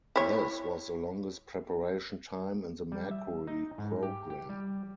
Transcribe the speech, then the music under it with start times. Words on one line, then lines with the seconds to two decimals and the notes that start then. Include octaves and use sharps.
This was the longest preparation time in the Mercury program.
0.16 E4 C#5
2.92 G3
3.11 E5
3.47 D#4
3.78 G#2
4.03 G4
4.30 G4
4.49 G3